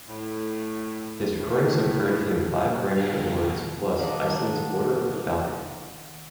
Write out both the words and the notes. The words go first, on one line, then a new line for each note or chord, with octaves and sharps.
His recordings have earned him five Grammy awards plus Iceland's Order of the Falcon.
A2
A2
G2 B2 D#3 F5
D#3 D4 D#4 F5 F#5